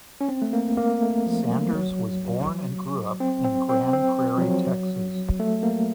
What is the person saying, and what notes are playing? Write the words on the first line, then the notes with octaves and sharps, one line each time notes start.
Sanders was born and grew up in Grand Prairie, Texas.
C#4
C4
A3
A#3
A#3
A3
F3
F#3
F#3
C4
C4
C4
C4
F3
F#3
A3
A#3